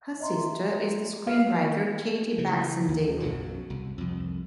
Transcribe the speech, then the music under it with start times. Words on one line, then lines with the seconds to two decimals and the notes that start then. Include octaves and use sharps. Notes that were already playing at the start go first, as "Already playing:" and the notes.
Her sister is the screenwriter Katie Baxendale.
0.20 D#5 E5 A#5 C6
1.27 F5
2.38 C#3 E3
2.88 D#2
3.20 B1 F#2 B2 F#3
3.70 C2
3.98 C2 F2